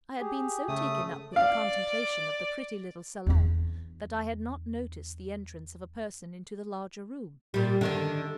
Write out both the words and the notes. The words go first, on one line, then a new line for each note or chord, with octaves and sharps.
I had been so taken up with the contemplation of the pretty little salon that I had not noticed the entrance of a person into the larger room.
G4 G#4
C#3 A3 D#6
D5 F5
E2 D4
A#2 G3
D3 D#3 D4